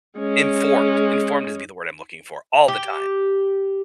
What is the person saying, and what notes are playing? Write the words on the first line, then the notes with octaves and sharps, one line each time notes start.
informed, informed is be the word I'm looking for, all the time,
G#3 C#4
G4